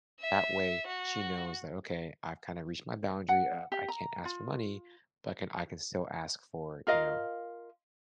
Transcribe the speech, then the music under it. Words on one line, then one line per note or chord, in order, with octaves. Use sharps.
That way she knows that, "Okay, I've kinda reached my boundary of 'I can't ask for money,' but can I can still ask for, you know,
E5
F#4
F#5
G4
A#5
F4
F4 A#4 D#5 F5